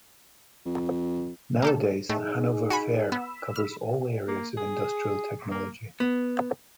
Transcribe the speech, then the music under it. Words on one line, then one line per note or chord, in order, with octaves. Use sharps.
Nowadays, the Hanover Fair covers all areas of industrial technology.
F2
A#3 G4 A4
A2 A3 D#4 G#4
F#4 G#5 B5
B3 B5 E6
F6
A#3
G#4
A#3
B3